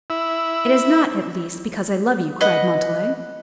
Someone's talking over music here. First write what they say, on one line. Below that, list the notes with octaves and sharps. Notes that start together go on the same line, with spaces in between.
"It is not, at least, because I love you," cried Montalais.
E4
B4 D#5 F#5